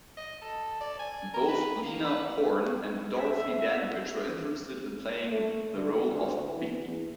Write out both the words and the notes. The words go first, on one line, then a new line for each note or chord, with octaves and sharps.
Both Lena Horne and Dorothy Dandridge were interested in playing the role of Pinky.
D#5
A4
D5
G#5
A#4
B4
A#3
B4
E5
A3
D3
D2
E3
E2